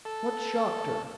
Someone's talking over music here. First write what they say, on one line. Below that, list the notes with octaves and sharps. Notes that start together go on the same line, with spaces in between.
"What shocked her?"
A4